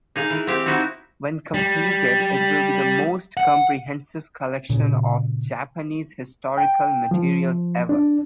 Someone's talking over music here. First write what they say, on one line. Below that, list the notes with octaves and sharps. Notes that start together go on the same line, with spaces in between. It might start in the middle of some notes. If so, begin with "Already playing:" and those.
When completed, it will be the most comprehensive collection of Japanese historical materials ever.
D#4 G#4 F5
E3
C4 G4 F5
C4 D#4 E4 F#4
G3
F#5
A#2 C#3
G5
F3
D4